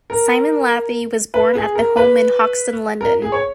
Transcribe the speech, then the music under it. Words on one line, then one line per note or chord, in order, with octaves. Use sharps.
Simon Laffy was born at home in Hoxton, London.
A#4
B4
G#4
A#4
B4
A#4
G#4
C#5